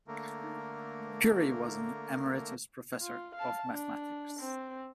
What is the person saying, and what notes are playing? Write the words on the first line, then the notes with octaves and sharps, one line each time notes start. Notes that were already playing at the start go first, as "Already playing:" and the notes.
Puri was an Emeritus Professor of Mathematics.
D3 A3 A#3 A#4
F4
F5 A5
D4
C4